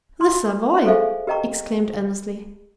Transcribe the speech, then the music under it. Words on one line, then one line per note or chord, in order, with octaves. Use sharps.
"The Savoy!" exclaimed Annesley.
C6
G#4 A4 C5 E5 F5 G#5
G4 A#4 D#5 G5 A#5 C#6